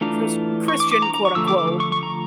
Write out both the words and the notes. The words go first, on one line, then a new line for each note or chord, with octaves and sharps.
Chris Christian, quote unquote.
E3 A3 D4 F4 A#5
C#6
D6
D6
A#5
A#5
C#6
D3 F3 A3 E6
D6
D6
C#6
C#6
A#5